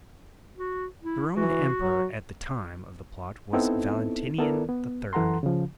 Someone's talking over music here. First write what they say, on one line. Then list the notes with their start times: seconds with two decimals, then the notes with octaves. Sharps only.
The Roman emperor at the time of the plot was Valentinian III.
0.57 F#4
1.02 E4
1.37 E3 F#4
1.81 F#3
3.53 B3 C4 D#4 E4 A4
4.38 B3 E4 A4 A#4 D5
4.69 B3
5.13 F#2 E3 A4 F#5 A#5 C6
5.43 C#3 F3